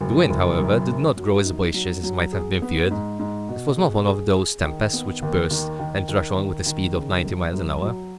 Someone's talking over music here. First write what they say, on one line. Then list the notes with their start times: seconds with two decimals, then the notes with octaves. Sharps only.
The wind, however, did not grow as boisterous as might have been feared; it was not one of those tempests which burst, and rush on with a speed of ninety miles an hour.
0.01 F#1
0.30 F#1
0.59 F#2
0.87 F#2
1.17 F#3
1.45 D#4
1.74 F#3
2.03 F#3
2.32 G#4
2.62 B3
2.91 G#2
3.19 G#2
3.49 B2
3.77 G#4
4.06 G#4
4.36 G#4
4.65 D#3
4.93 B3
5.22 D#2
5.51 D#3
5.79 D#3
6.09 D#3
6.37 D#3
6.66 D#3
6.96 C#3
7.24 F#2
7.53 F#2
7.82 F#3